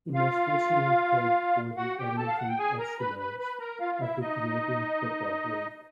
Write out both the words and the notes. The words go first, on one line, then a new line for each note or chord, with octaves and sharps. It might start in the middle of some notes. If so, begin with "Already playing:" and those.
He most recently played for the Edmonton Eskimos of the Canadian Football League.
F4 F5
F#4 F#5
G4 G5
A4 A5
F5
F#5
G5
G#4 G#5
A#4 A#5
B4 B5
B4 B5
B4 B5
A#4 A#5
F4 F5
F5
E4 E5
D#4 D#5